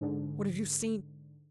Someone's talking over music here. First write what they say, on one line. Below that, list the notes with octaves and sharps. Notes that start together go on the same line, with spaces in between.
What have you seen?
G#2 D3